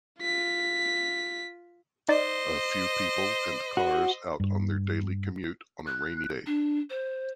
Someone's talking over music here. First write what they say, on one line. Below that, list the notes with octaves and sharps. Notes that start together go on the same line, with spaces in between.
A few people and cars out on their daily commute on a rainy day.
F4 B6
D#4 C5 D5 D#5
F#4
G2
F#6
D4
C5